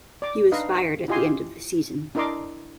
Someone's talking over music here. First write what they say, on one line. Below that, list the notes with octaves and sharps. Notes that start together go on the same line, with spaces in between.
He was fired at the end of the season.
D5 D6
D4 D#4 B4 D#5 F5
E4 F4 G4 D#5 G#5 C6
D4 E4 A#4 D#5 C6 D6